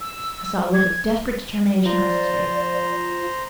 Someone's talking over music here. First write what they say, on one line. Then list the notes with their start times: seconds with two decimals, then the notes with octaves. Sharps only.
I saw a look of desperate determination cross his face.
0.01 E6
0.74 G#6
1.86 F3 C5 D5 A#5